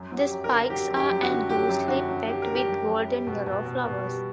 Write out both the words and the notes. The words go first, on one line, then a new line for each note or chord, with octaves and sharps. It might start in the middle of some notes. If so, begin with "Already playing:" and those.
The spikes are and loosely packed with golden yellow flowers.
Already playing: F#2
F#3
G4
F#2
A#4
D3
F#3 G4
F#2
G4
F#2
F#4
D3
F#3 G4
F#2
D3 F#4
F#3
D3 G4
D3 A#4
G4
F#2
F#2
G3
B2
B2
B2
B2
G3